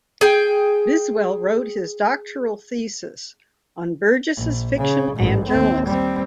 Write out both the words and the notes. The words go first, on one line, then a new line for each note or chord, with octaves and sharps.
Biswell wrote his doctoral thesis on Burgess's fiction and journalism.
G#4 G5
A#1
C#3
A1 G#2
D#2 C4
G3 C4